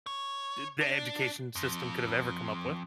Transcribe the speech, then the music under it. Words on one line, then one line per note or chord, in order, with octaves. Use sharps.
s the education system could have ever come up with
C#5
D4
F2